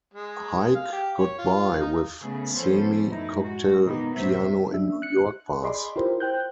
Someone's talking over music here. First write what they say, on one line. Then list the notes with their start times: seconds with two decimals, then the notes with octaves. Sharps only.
Haig got by with semi-cocktail piano in New York bars.
0.14 G#3
0.75 F5
0.93 G4
1.19 C#5
1.38 F4
1.81 D#4
2.20 C#3 A3 B3 G#4
2.53 F3 B3 C#4 A4 C5
3.09 F#2 A2 D#4 E4
3.38 G#3 F#4
3.84 B2 D#3 A#3 B3 D#4
4.15 A2 C3 F#3 C5 E5
4.72 D4 E5
5.02 F#6 C#7
5.17 F#6
5.63 G#4 D5 D#5 B5 C6 D6
5.96 E4 F4 G4 A#4 C5
6.20 C5 G5 F#6 G6